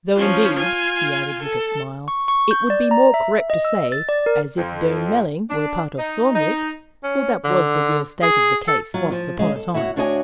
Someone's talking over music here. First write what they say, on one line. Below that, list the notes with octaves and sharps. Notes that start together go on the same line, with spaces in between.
"Though, indeed," he added, with a smile, "it would be more correct to say, 'as if Durnmelling were a part of Thornwick'--for that was the real state of the case once upon a time."
F3 C#4
F4 G#5
A4
C#6
C#6
G6
D5
A#5
E5
D#5
E6
A6
D5
A#4
F2
D4
D#4
D#4
C#4
D3
G#4
A4
F#3 F4
F3 F4
C#3 G#3
A4
E4 F#4 C#5 F#5
D2 D4 F#4 C#5 D#5 G#5